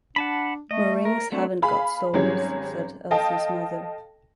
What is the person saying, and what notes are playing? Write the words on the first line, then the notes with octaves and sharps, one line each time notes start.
"Meringues haven't got souls," said Elsie's mother.
D4 F#5 A5 B5
A3 D#5
A#4
A3 C4 D4 F#4
G#4 F5 G#5 B5
G#1 F#3 G3 C#4 G#4 C#5
A4 D#5 F5 G5 A5